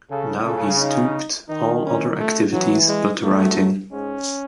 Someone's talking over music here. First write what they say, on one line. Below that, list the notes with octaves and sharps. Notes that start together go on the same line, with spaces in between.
Now he stooped all other activities but writing.
C#3 A4
C#3 A4
D#4
D#3 D#4
C#4
A3
E3 F#3
G#3
F#2 F#3 A3
G#2 G#3 C#4